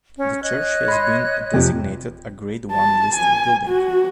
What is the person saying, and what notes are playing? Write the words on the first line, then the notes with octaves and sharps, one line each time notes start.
The church has been designated a Grade One listed building.
C#4
C#5 D#5 F#6
B5 C6
F2 C3 F3
A5
G#5
F#4